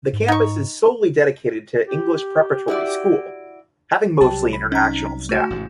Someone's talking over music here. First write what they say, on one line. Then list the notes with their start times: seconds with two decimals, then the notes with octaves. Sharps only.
The campus is solely dedicated to English preparatory school having mostly international staff.
0.13 G#2
0.28 D#4 C#6
1.86 G4
2.68 E4 F#4 D5
4.21 C2 F#3 G4 A5
4.53 B5
4.72 C#4 D#4 A#5
5.29 A3 F#4
5.50 A1 G#2 C3